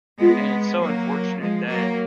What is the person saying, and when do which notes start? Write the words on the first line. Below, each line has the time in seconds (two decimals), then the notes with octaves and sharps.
and it's so unfortunate that
0.20 G#3 B3 F4
0.80 F#3 A#3
1.41 F3 G#3
1.69 F#3 A#3